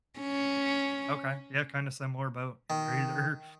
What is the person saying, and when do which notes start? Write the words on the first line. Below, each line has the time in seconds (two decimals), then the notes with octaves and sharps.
Okay, yeah, kinda similar boat. You're either
0.20 C#4
2.70 D#3